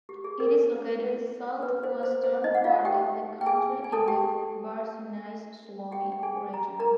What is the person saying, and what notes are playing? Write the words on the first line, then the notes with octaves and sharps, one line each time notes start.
It is located in southwestern part of the country in the Varsinais-Suomi region.
G4
G#4
A#4
A4
A#4
B4
C5
C5
C5
D#4 D#5
F#5
F4 F5
G4 G5
G5
G#4 G#5
G#5
A4 A5
G4 G5
G4 G5
G5
G#4 G#5
A#5
A#4 A#5